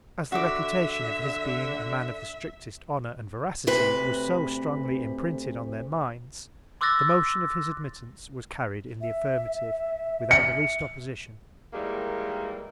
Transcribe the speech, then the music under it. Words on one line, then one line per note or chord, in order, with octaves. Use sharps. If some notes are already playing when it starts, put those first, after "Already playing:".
As the Reputation of his being a Man of the strictest Honour and Veracity was so strongly imprinted on their Minds, the Motion of his Admittance was carried in the Affirmative, without the least Opposition.
D3 F#4 E5 D6
D2 C3 B4
C6 D6 E6 F#6 A6 A#6
E5
C#7
D#3 E3 G3 G#3 A#3